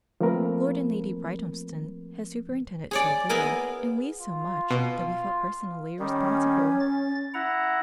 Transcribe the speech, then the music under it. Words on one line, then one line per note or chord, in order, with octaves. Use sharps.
Lord and Lady Brighthelmston had superintended so little, and we so much, that we felt personally responsible.
F3 A3 A#3 C4 A#4 B4
G#4 C#5 D5
B3 E4 G#4 A#4
F4
B2
D#3 G3 C#4
A6
E4 F#5 A#5